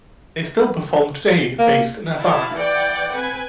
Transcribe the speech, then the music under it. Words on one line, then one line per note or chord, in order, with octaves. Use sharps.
They still perform today, based in Havana.
A#3
E4 F5 A5
E3 D5 F#5 G5
C4 B4 G#5